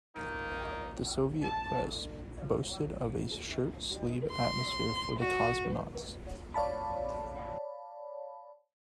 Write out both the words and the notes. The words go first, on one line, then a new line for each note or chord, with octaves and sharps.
The Soviet press boasted of a "shirt-sleeve" atmosphere for the cosmonauts.
D#3 A#3 D#4
A5
C6
F#4
C#5 D5 F5 A5 B5